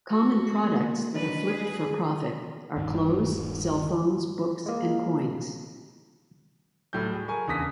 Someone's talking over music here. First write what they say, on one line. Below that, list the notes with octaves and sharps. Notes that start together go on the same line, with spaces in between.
Common products that are flipped for profit are clothes, cell phones, books, and coins.
F#4
A#3
F#3 D4 B4 D5 D#5
G#4
D#1 C2 G2 D#3
G#3 A#3
A2 F#3 G3 G6
G#4
A#4 G#5 C#6
E2 C#3 D4 D#6 A#6 B6